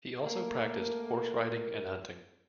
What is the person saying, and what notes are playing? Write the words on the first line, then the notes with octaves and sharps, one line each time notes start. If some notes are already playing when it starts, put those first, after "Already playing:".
He also practiced horse-riding and hunting.
A3 A#3 A#4